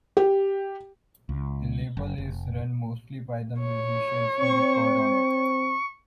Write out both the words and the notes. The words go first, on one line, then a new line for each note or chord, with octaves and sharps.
The label is run mostly by the musicians who record on it.
G4
C#2
F#1
F1
C#5
C4 C#6